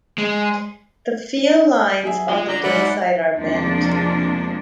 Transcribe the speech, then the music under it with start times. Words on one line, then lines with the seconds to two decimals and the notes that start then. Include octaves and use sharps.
The field lines on the dayside are bent.
0.18 G#3
2.04 F#3 G#4 E5
2.30 G#3 F4 G#4
2.49 D3 A#5
2.63 C#2 G#2 D5 E5 F#5 B5
3.37 E2 C3 F3 G#3 A#3 D4